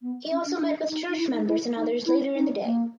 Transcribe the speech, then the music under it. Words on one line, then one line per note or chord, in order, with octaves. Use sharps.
He also met with church members and others later in the day.
B3
C#4
D4
D4
D#4
D#4
E4
D#4
E4
D#4
E4
D#4
A#3